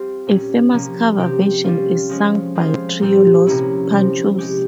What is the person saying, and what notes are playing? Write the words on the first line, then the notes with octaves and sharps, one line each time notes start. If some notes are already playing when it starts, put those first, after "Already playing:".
A famous cover version is sung by Trio Los Panchos.
Already playing: G3 C4 F4
A#2 G3 C#4
C3 F3 A#3 C#4
C3 F3 C4 G4
G3 C#4 F4
F3 G#3 C#4
F3 C4 F4 G#4
A#2 G3 C4 G4
C3 F3 A#3 C#4 E4
C3 F3 C4
G#3 C#4 G4